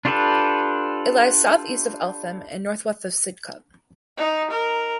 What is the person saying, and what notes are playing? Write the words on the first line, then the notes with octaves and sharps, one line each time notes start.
It lies south east of Eltham and north west of Sidcup.
D4 F4 G4 A4 B4
D#4
A#4